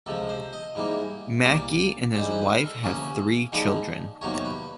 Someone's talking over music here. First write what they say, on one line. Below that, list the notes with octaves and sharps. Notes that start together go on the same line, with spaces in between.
Maki and his wife have three children.
C#2 C3 F3 A4
C5
D#5
G#2 E3 G3 A#3
C2 A#2 G3 A#3 D5
G#2 E3 G3 C4 C5
B4
B4
A#4
A4
D2 C3 F3 A#3 C#4
D#2 D3 F3 G#3 B3
E2 C3 D#3 F#3 A#3 C#5
B4